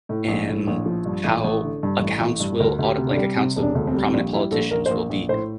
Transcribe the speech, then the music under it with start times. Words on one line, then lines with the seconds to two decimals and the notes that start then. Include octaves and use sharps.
em, how accounts will auto like, accounts of prominent politicians will be
0.09 A2
0.28 A#1
0.48 A2
0.67 A#1
0.86 F3
1.05 G2
1.24 A1
1.44 A1
1.63 D3
1.83 G2
2.01 A1
2.21 A1
2.40 G2
2.59 D2 A#4
2.79 D2
2.84 G4
2.97 C3
3.10 D4
3.17 G3
3.36 C3 C4
3.56 E1
3.63 D4
3.75 D2
3.87 C4
3.94 G3
4.06 C4
4.13 A#1 D4
4.33 G3 E4
4.51 A#1 A4
4.71 A#1 A#4
4.86 C5
4.90 A#1 A#4
5.10 A#1
5.29 A2 C5